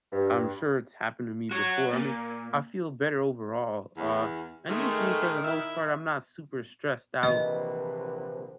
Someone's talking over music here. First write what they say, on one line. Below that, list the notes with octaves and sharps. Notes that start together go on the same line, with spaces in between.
I'm sure it's happened to me before, I mean, I feel better overall, uh, and usually for the most part, I'm not super stressed out,
G2
F#4 C#5
A#2
E2
D#3 G#3 A3
E4 E5
A#1 C3 D#3 E3 A#3 B4 D#5